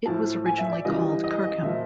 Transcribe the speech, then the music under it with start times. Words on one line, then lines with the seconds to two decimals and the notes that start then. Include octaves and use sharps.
It was originally called "Kirkham".
0.06 A2 F3 A5
0.46 G#5
0.58 E5
0.72 D5
0.85 C#3 E3 G3 D#5
1.24 D#5
1.44 D#5
1.63 A#2 F3 E5